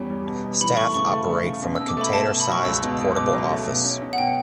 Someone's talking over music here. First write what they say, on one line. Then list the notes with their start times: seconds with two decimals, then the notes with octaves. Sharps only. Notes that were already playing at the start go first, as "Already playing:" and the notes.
Staff operate from a container-sized portable office.
Already playing: E2 G3 C#4
0.10 G3
0.27 B2
0.44 B2
0.61 E3 B5
0.77 A3 C#6
0.94 C#3 C#6
1.11 A3
1.29 C#3
1.46 C#3
1.63 B2
1.76 E6
1.80 B2
1.88 D6
1.97 A3 B5
2.13 B2 A5
2.31 B2
2.40 B5
2.48 F#3 C#6
2.65 C#2 E6
2.82 B2
3.00 B2
3.16 B2 D6
3.33 F#3
3.50 A3
3.67 B2
3.84 C#4
4.02 C#4
4.13 F#5
4.18 B2 G5